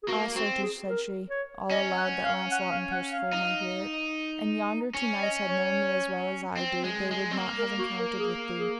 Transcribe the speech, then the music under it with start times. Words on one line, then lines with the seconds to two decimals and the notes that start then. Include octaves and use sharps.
Ah certes, said she, all aloud that Launcelot and Percivale might hear it: An yonder two knights had known thee as well as I do they would not have encountered with thee.
0.03 G#4
0.08 A#3 F#4
0.35 C4 F#4
0.62 G#4
0.89 A#4
1.30 C#5
1.71 C#4 D#5
1.97 F#5
2.25 F5
2.52 F#5
2.71 F5
2.92 F#5
3.12 F5
3.33 D#4
4.94 C#4
5.22 D#5
5.49 C#5
6.57 C4
6.84 G#3
7.11 G#3
7.31 C4
7.37 A#3
7.58 A#4
7.79 F#4
7.99 A#4
8.19 G#4
8.60 G#4